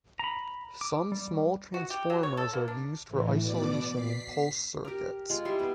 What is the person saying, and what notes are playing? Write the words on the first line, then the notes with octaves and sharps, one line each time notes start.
Some small transformers are used for isolation in pulse circuits.
A#5 B5
D6
G3
F#4
G4
F#3
C#5
A4
A#3
D4
A2 E3
B2 D5 D6
B6 C7
G4 A#4
G#3 F4
G3 E4 C6 C#6
B3